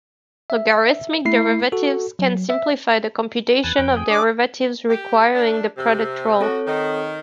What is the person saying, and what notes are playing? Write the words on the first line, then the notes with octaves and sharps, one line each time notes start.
Logarithmic derivatives can simplify the computation of derivatives requiring the product rule.
E5
A3 E4 C7
F#4 A4
F#3
E5
E2 B4 G#5 A5
F2 G5
G#4
D4 D6
G4
A3 D4
C3
C4 F#4 A4 C#5
D#3